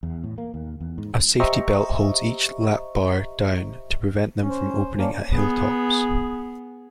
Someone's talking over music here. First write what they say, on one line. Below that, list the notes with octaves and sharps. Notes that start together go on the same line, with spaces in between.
A safety belt holds each lap-bar down to prevent them from opening at hilltops.
E2
A2
A#3
D#2
E2
G#2
G4 C5 D#5 E5 A#5 C#6
C#4
C5
A#3 C#4 D4
B3 G#4